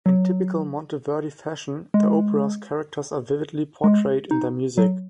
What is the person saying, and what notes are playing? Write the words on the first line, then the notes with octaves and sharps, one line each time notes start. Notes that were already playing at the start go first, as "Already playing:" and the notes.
In typical Monteverdi fashion the opera's characters are vividly portrayed in their music.
F#3
G#3
G#3
D#4
F#3